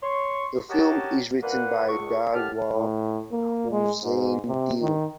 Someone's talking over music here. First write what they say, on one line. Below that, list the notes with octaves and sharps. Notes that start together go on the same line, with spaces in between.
The film is written by Delwar Hossain Dil.
C#5 C6 C#6
F#4 G4 A#4 C#5 D#5 A5
A#2 A#3 B4 F#5
C#2 C#6
D#2 A2 G4 F#5 A5 F6
A2
A#3
G#3
G#2
C3
D#3